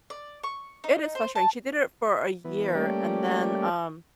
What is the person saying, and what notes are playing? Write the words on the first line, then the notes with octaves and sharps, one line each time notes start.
It is frustrating, she did it for a year, and then, um,
D5
C#6
D#4
C5
A5
E3 B3
G3 A3 A#3 C#4 G4 D5